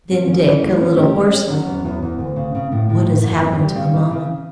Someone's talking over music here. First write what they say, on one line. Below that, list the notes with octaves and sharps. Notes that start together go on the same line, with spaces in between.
Then Dick, a little hoarsely--'What has happened to Amomma?'
C#4
C#4
E3
A3
C#4
G4
C#4
C#4
F#3
E2
E2
E2
D2
C#3
C#3
A2
A2
A2
F#2
B3
G3
C#3
E3
C#3